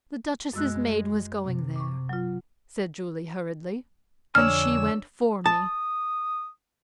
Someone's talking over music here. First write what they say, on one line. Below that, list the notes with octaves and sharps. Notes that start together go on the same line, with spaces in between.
The Duchess's maid was going there," said Julie, hurriedly, "and she went for me.
F#2 G#3 E6 F#6
C3
C#6 D6
F#3 F4
F2 D3 D4 C#5 G#5 E6 F6
A5 D#6